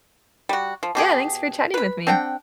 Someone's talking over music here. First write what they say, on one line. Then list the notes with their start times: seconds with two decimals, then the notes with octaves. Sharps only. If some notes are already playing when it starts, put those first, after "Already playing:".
Yeah, thanks for chatting with me.
0.49 G3 F#4
0.83 F3
0.95 B2 G4 G#4
1.74 B4 B5
2.07 C4 D4 F#5 G5